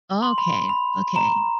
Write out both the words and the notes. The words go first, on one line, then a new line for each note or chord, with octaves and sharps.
Oh, okay. Okay.
C6
B5
B5
A#5